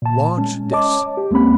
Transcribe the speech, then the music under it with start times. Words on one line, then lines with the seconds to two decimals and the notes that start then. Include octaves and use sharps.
Watch this.
0.02 A#2 A5
0.38 G#3 C#4
0.72 C#5 D#5 A5 D6
1.17 G4
1.31 D#2 G#3 A#3 C4 C#4 B5